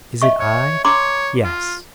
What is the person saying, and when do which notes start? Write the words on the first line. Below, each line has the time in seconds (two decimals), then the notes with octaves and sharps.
"Is it I? Yes."
0.22 D#5 E5 C#6
0.40 C#5
0.85 C#5 A#5 C6 D6
1.44 F4